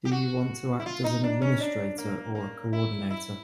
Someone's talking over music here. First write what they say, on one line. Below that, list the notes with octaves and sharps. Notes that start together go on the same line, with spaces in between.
Do you want to act as administrator or coordinator?
G4
F#4
E4
F4
D#4
D4
C#4
D4
A#3
A#3
E4
E4